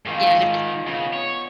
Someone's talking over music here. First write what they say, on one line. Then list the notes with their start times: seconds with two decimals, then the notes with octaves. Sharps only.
Yeah, and if it's
0.06 G#2 D#3 D#4 F4
0.87 C#3 B3
1.14 C#5